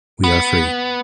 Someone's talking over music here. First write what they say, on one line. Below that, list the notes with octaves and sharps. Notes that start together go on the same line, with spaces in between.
We are free.
B3